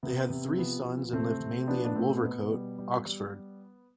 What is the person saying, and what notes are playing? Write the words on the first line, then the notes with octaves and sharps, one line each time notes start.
They had three sons and lived mainly in Wolvercote, Oxford.
C3 B3
C3
C4
F3 B3
F3
C3 A3 C4
C3
F3 B3 D4
D4
A2 A3 C4
C4
B2 B3
G3
G3
G3